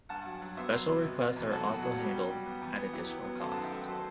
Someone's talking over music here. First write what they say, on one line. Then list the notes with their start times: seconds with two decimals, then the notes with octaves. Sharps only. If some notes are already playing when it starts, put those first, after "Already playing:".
Special requests are also handled, at additional cost.
0.09 G2 F#5 A5
0.25 F#3
0.42 F#3
0.57 B3 C5 E5
0.72 F#3
0.88 C3
1.04 B2
1.19 B2
1.36 E2
1.51 F#3 F#4 A4
1.67 B2 F#4
1.82 F#3 F#4
1.99 G3
2.15 G3
2.30 G3
2.46 B3
2.61 E2
2.77 B3
2.93 F#3 E4 G4
3.09 F#3
3.24 B3
3.40 F#2 A4 C5
3.52 D#3 F#5 A5
3.64 E5 G5
3.71 A3
3.88 F#3 A4 C5